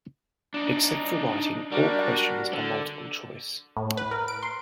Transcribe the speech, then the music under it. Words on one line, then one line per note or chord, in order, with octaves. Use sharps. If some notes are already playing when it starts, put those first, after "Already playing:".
Except for writing, all questions are multiple-choice.
D4 D#4
G3 D4 F#4 A#4
D3
A2
B4
A#4
D7
C6